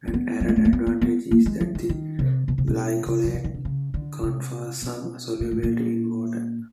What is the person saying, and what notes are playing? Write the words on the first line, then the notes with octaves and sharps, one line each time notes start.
An added advantage is that the glycolate confers some solubility in water.
C4
B3
G3
G#3
A3
A#3
B3
B3
B3
A#3
G#3
F3
D#3
D#3
C3
B2
C3
B2
C3
F3
E3
D#3
D3
C#3
D3
C3
B2
A#2
A2
A#2